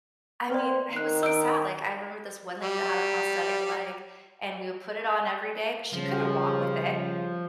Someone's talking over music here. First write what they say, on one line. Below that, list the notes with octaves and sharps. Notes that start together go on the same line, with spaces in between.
I mean, it was so sad, like, I remember this one lady that had a prosthetic leg, and we would put it on every day, but she couldn't walk with it.
C4 B4 C5 D5
D#3 F#6 C7
E6 D7
G3
C#3 F3 G3